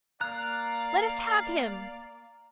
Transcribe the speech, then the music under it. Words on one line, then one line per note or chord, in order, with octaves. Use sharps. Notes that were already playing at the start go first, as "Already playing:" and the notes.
Let us have him!'
A#3 D5 F5 A#5 F#6